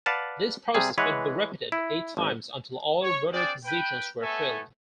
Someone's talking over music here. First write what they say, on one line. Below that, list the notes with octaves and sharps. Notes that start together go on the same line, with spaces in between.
This process would be repeated eight times until all rotor positions were filled.
B4 D5 F5 F#5 A5
C3 G3 G#4
E3 G#3 B4 C#5 F#5
E4
G#1
C#5
C4 D4 G#4 D5
B4 G5
A3 B3 A4 C#5 E5 G#5